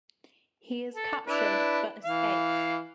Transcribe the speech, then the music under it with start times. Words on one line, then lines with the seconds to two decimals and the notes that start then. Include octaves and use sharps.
He is captured but escapes.
0.94 A4
1.27 D4 E4 B4
2.05 E3 F5